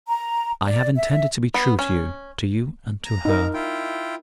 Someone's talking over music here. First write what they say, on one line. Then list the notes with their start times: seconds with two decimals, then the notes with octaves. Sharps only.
"I have intended to be true to you--to you and to her."
0.08 A#5
0.67 D5
0.96 E5
1.54 B3
1.79 C#4
3.05 A#5
3.25 D#4 A#4
3.54 E4 F4 G5